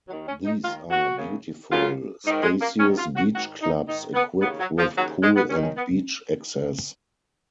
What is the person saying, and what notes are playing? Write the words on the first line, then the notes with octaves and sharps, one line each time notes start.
These are beautiful, spacious beach clubs equipped with pool and beach access.
D#2 D#3 F#3
C#4
D#4
D#2 D#3 F4
F#4
F#2 C#3
F#2 C#3 F4
G#2 D#3 D#4
G#3
A#3
G#2 D#3 C#4
F4
F#4
G#2 D#3 F#4
D#4
G#2 D#3 D#4
B3
D#2 C#3 B3
F#3
F3
D#2 C#3 F#3
G#3
B3
D#2 D#3 C#4
C#4
B3